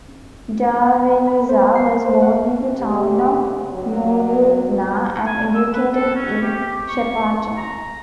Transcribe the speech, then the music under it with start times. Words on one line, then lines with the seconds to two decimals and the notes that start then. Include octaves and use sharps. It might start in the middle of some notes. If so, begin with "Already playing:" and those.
Darveniza was born in the town of Mooroopna and educated in Shepparton.
1.27 B5
1.49 C5
1.75 C7
2.06 C5
2.22 F#5
2.80 D2 G2 C#3 G4
3.72 G2 B2 F#3
5.26 G#5
5.55 E6
5.73 B4
5.94 A4
6.15 C#4
6.42 G4
6.88 C#6
7.58 A#5